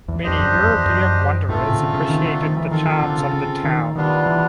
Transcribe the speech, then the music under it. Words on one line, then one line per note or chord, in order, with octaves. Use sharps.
Many European wanderers appreciated the charms of the town.
E2
F2 D4 G4 C5 D#5
F#2
F2
E2
F#2
G#2 A3 C4 F4 A4
A2
C#3
D3
C#3
D#3
D3
D#3
E3
D#3 C4 F4 A4
D#3
D3
C#3
C#3
D#3
D#3 G3 B3 D4 F4
E3